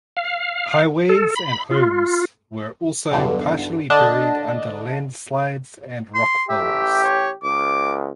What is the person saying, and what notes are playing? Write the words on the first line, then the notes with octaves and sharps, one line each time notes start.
Highways and homes were also partially buried under landslides and rockfalls.
F5
A4
B5
F4
B1 E2 G2 D3
D3 D4 D#5 A5
C6
A1 G4 E5
C#5
C#2 D6